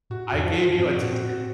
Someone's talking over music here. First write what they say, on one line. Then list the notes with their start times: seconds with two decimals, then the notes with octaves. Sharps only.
I gave you a test
0.10 A2 F#4
0.28 F#4
0.33 F2
0.45 F3
0.55 F#2
0.61 F3
0.78 A2 C4
0.94 F#4
1.01 A#2
1.12 C4
1.23 A2
1.29 F#4